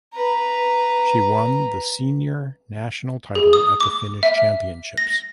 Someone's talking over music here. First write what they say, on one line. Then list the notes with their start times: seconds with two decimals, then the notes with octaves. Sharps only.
She won the senior national title at the Finnish Championships.
0.14 B4 A#5
3.35 G#4
3.53 D#6
3.80 D6
4.23 E5
4.98 A#6